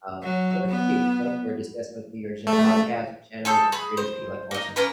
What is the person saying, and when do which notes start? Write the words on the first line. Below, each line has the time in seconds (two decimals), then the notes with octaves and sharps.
um, I wanna thank you, you know, for discussing with me your gym podcasts, your channels, and creators that you like watching.
0.23 F#3
0.69 B3
2.47 A3
3.45 G#4 A4 G6
3.72 G#4 B5
3.97 C5
4.51 A#3 D#4
4.76 A#3 C#4 A#4 B4